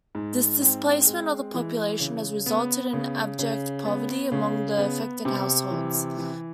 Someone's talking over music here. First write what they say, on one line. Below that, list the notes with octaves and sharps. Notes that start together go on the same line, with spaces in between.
This displacement of the population has resulted in abject poverty among the affected households.
G#2
C4
G#3
E3
C#3
B3
C#3
C#3
B3
C#3
B3
C3
E3
E3